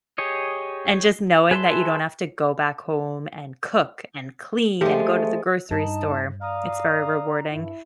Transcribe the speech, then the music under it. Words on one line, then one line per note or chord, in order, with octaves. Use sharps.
And just knowing that you don't have to go back home and cook and clean and go to the grocery store. It's very rewarding.
G4 G#4 C#5 D#5
G#4 B4 E5 A5 C6
F3 G#3 A3 G4
G2 D#4 D#5 A5
D5 F5 A#5 D#6
G2 E4